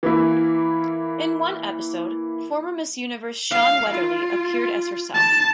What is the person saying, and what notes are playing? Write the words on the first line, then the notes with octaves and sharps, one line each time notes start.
In one episode, former Miss Universe Shawn Weatherly appeared as herself.
E3 A#3 E4
F5
F4
A5